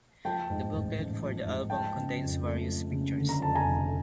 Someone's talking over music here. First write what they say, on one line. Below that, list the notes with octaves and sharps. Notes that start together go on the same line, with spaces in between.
The booklet for the album contains various pictures.
F3 G5 A5
G#2
A1
A1
F3
G#2
F3 G5 A5
C#3
F2
A3
F3
C#3
D3
A#5
F2 A5
G#5 A#5
F1